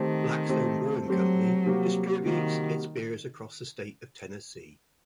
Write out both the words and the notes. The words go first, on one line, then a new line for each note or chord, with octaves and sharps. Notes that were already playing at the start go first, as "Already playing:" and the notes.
Blackstone Brewing Company distributes its beers across the state of Tennessee.
Already playing: D#3 A3 C4 G4 C5
A3 C4 G4 C5
F#3 A3 C4 G4 C5
C3 G3 A#3 F#4
C3 D#3 G3 A#3 F#4